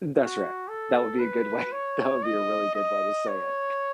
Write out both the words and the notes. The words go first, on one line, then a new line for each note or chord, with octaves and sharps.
That's right. That would be a good way. That would be a really good way to say it,
F#4
A4
B4
C#5
D#5
D#5
C#5